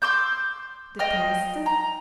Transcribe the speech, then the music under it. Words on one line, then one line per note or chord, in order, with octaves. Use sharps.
"The test?"
C6 D6 E6 G6
D#5 G5 F6
A#5